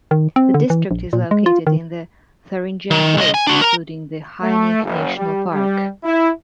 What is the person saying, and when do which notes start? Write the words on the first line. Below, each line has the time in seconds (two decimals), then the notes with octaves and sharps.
The district is located in the Thuringian Forest, including the Hainich national park.
0.11 D#3
0.36 C4
0.54 D3
0.70 E3
0.91 A#1
1.13 A#2
1.31 G#3
1.46 F4
1.67 D#3
2.91 D#3
3.17 C2 D#5
3.34 G#5
3.47 D4 F#4
3.61 A#4 A#5
4.42 A3
4.83 F#1
5.16 G3
5.53 G3
6.04 E4